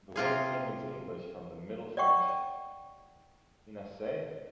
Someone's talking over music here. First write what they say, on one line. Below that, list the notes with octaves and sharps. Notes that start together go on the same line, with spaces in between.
The word came into English from the Middle French "pinasse".
C3 F4 G#4
D5 D#5 F#5 G5 C#6